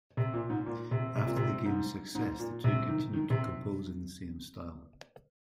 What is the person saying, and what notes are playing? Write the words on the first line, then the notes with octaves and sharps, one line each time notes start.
After the game's success, the two continued to compose in the same style.
C3
A#2
G#2
A#2
C3
C3
A#2
C3
G#2
G#2
A#2
C3
D#3
D#3
C3